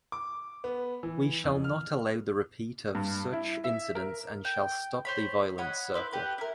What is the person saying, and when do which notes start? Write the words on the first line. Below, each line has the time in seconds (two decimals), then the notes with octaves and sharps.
We shall not allow the repeat of such incidents and shall stop the violence circle.
0.12 D6
0.64 B3
1.03 E3
1.44 F2
1.64 F6
2.95 G2
3.33 E4
3.64 E5
3.95 A#4
4.45 G5
5.05 C5 C#5 B5
5.58 C#5 D#5 F#5 B5
5.94 E4 B4 C5
6.12 G4 B4
6.38 E4 A#4